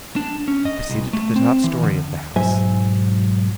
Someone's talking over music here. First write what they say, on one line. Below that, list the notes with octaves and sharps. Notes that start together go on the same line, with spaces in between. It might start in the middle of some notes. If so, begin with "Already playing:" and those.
We proceeded to the top-storey of the house.
D4
C#4
D#5
C2
A3
C4
E3
D3
B1 G#2 F#3 C5 E5 G#5